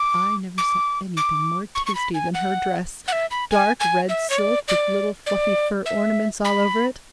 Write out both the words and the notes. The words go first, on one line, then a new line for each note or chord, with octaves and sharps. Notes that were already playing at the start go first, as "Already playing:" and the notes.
I never saw anything more tasty than her dress,--dark red silk, with little fluffy fur ornaments all over it.
Already playing: D6
D6
D6
C#6
C#6
B5
G#5
F#5
F#5
E5
B5
G#5
G#5
E5
C#5
D5
D5
D5
E5
B5